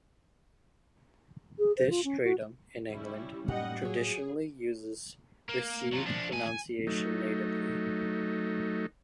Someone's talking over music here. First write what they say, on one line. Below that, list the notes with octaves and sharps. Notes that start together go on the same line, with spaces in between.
This stratum, in England, traditionally uses received pronunciation natively.
G#4
C5
F4
C#4
F#4
G3 C#4 E4
F#2 A2 G3 A#3 D#4 G4 D#5 F#5
F#3 F4 G#4 C#5
A#3
F#3 F4
F3 D4
A3 G#5
G#5
F#3 A3 D#4